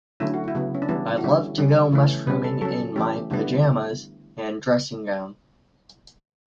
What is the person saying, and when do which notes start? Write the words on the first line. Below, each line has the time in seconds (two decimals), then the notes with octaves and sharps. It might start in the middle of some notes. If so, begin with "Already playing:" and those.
I love to go mushrooming in my pyjamas and dressing gown.
0.20 D3 F#3 A3 C#4 E4
0.34 F#4
0.48 E4
0.55 C#3 F#3 B3
0.75 C#4
0.82 D4
0.89 E3 G3 B3 E4
1.18 F#4
1.24 D3 G3 C#4 E4
1.58 C#3 G3 C#4
1.92 E3 A3 C#4
2.27 C#3 G3 C#4 B4
2.44 A4
2.61 F#3 C#4 A4
2.96 E3 A3 C#4 G4
3.31 D3 G3 B3 E4